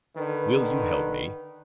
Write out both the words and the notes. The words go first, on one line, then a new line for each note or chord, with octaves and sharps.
Will you help me?
D3 D#3 B4